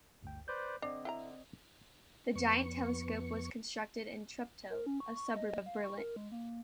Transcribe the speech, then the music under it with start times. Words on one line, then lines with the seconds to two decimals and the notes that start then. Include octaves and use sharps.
The giant telescope was constructed in Treptow, a suburb of Berlin.
0.22 G1 D2 G5
0.48 B4 C5 D5 G6
0.82 D3 C4 D4 D5 D#5
1.05 E4 F#5 A#5
2.35 F2 B3 C#6
4.70 A#4
4.86 C#4
5.00 C#6
5.16 C#6
5.36 D#5
5.66 F5
5.84 C#6
5.98 A#4
6.16 G#3
6.32 A#3